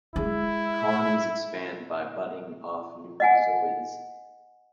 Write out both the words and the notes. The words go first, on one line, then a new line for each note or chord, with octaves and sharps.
Colonies expand by budding off new zooids.
G#3 E4
D#5 F#5 G#5